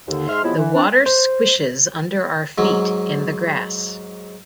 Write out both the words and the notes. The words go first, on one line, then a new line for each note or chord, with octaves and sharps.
The water squishes under our feet in the grass.
D#2 D3
G#2 E5 C6 F6
C3 F3 F#3 G#3 B3 E4
E3
C4 D4
C5
G#2 F#3